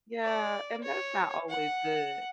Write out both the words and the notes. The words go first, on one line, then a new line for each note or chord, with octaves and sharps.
Yeah, and that's not always good.
D5
C#5
F#5